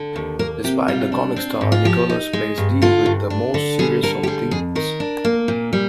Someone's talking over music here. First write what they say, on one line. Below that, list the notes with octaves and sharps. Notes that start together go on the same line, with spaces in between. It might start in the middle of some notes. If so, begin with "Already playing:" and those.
Despite the comic style, Nichols' plays deal with the most serious of themes.
Already playing: D3
D#2
A#3 A#4
C3 G4
G3 F4
D4
C4
G#2
F4
F3 G4
D#4
G#3
G2
D3 F4
G2
D4
D3
G3 G#4
D3 A#4
G4
G3 G#4
F2 G#4
D#3 A#4
D4
A#3
A#2
G3